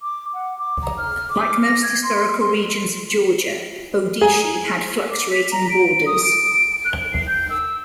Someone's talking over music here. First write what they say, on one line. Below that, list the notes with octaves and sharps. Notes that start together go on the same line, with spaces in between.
Like most historical regions of Georgia, Odishi had fluctuating borders.
D6
F#5
D6
A#5
F6
D6
A#6
G#6
C6
C6
G#4 G#5 A#5
D6
B6
A#5
D7
D#6
D7
F#6
D7
C7
G6
E6